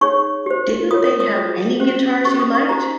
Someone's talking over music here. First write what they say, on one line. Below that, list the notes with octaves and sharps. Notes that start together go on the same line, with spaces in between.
Didn't they have any guitars you liked?
D#4 G#4 C#5 C#6
G4 C5
F4 A#4 C#5 D#6
D#6
D#6
F4 G#4 C5
C#4 G4 C5
C#4 G4 C5 C#6
D#6
C#6
D#4 G4 C5 A#5